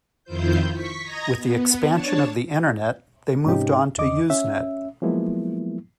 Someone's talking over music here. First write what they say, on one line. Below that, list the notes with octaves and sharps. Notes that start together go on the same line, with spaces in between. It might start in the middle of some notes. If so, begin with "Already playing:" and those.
With the expansion of the Internet they moved on to Usenet.
F2 D#3 E4 F4 C5 G6
C#6 B6
D#5 A#5 D#6 G#6 A#6
B3
D4 C#5 A5
G#2 C3 C#4 D#4 G4
E2 D3 D#5 D6
C#4 E5
F3 F#3 G#3 A#3 B3 E4